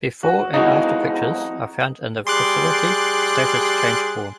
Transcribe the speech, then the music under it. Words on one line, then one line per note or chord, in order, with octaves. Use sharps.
Before and after pictures are found in the facility status change form.
F#4
F2 E3 G#3 D#4 F#4
G3 G#4 C6 D6 F#6